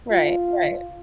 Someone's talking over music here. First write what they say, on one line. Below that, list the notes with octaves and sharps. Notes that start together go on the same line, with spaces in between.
Right, right.
F4